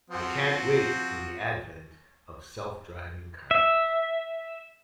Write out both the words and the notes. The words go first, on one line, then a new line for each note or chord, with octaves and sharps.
I can't wait for the advent of self driving cars.
F3 C4 F#4
E5